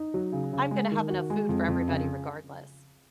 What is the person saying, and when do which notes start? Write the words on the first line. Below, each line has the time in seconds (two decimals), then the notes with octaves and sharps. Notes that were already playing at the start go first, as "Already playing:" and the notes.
I'm gonna have enough food for everybody regardless.
Already playing: D#4
0.14 F#3
0.32 C#3
0.53 C#3
0.71 G#3
0.92 D#3
1.10 F#4
1.30 G#3
1.49 F2
1.68 F2
1.88 C#3